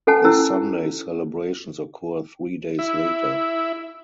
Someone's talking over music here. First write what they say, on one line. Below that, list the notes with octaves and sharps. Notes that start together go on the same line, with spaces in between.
The Sunday celebrations occur three days later.
C#4 A4 C5 F#5 G#5 A5
C#4 E4 E6
E4